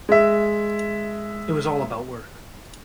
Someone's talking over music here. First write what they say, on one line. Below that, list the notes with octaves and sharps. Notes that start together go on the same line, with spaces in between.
It was all about work.
G#3 E5